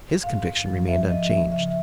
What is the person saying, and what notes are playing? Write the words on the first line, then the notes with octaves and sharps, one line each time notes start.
His conviction remained unchanged.
G#2 F5
G#2
F3
F3 E5
F3 D#5
F3 E5
C#3 E5